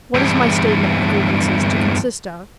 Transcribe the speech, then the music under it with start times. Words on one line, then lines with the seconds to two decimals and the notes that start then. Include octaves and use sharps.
"What is my statement of grievances to consist of?"
0.14 E2 G2